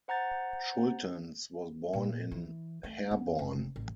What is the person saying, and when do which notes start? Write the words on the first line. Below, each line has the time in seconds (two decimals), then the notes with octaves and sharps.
Shultens was born in Herborn.
0.08 C5 F#5 A#5 G6 A6
1.93 A#2
2.31 E3
2.84 A3
3.11 B3
3.39 F1
3.76 A1